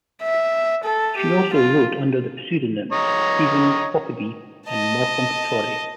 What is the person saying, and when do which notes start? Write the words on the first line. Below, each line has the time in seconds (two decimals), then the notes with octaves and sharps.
She also wrote under the pseudonyms Stephen Hockaby and Malcolm Torrie.
0.23 E5
0.84 A4
1.17 G4
1.54 F4
2.92 C#5 D#5 A#5
4.68 D#5 A5